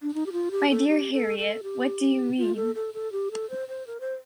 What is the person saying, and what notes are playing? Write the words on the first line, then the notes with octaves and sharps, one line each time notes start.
My dear Harriet, what do you mean?
D4
D#4
G4
F4
G4
A4
G4
A4
A4
G4
F4
A4
A4
A4
G4
A4
C5
C5
A#4
C5